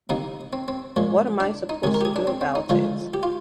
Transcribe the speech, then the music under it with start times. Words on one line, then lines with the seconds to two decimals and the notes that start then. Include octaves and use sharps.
What am I supposed to do about it?
0.09 C3 D#3 A#3 D#4
0.53 C4
0.68 C4
0.96 A#2 F3 G#3
1.40 D4
1.69 D#4
1.83 C3 D#3 G#3 G#4
1.94 A#4
2.01 G4
2.05 G#4
2.16 D4
2.27 C4
2.41 C4
2.55 D#4
2.69 D3 F3 G#3 F4
3.14 G4
3.23 F4